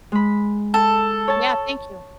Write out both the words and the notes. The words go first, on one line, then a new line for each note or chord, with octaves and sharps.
Yeah, thank you.
G#3 B5
A4
C#5 A5